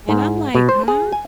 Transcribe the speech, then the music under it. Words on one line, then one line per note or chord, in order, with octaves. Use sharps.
And I'm like, "Huh?"
G#2
B2
C5
G#4
G#5